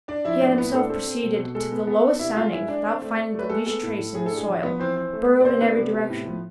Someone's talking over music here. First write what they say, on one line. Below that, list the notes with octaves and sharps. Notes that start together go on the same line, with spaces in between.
He had himself proceeded to the lowest soundings without finding the least trace in the soil, burrowed in every direction.
D4 D5
F3 E4 E5
A2 D4 D5
A2 B3 B4
D4 A4
C4 A4
C4
B2
B2
G#3 A4
B3
B3
D4
C3 E4 E5
G#3 F4 F5
G#3 E4 E5
D4 D5
C4
A3
A3
A3 B4
G#3 A4
B3 A4
A2
A2
A2 G#4
A4
D4
G#4
F3
F3 B3 B4
E3 C4 C5
C4
A3
C4
D5
C3 C4 C5
B3 D4 B4
C3
C3
A2
F3